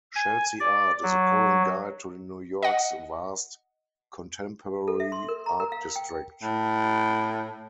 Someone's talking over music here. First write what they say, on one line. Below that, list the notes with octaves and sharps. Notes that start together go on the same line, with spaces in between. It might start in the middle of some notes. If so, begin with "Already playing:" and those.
Chelsea Art is a current guide to New York's vast contemporary art district.
G#5
D5
F#3
D#5 F#5
A4
E5
C6
A#4
A#5
A#4
F5
G5
A2